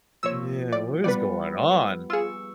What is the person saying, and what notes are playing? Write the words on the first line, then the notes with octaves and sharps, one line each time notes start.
Yeah, what is going on?
A#2 F3 C#5 E6
D5
G3 B3 B4 D5
F4 G#4 C#6 E6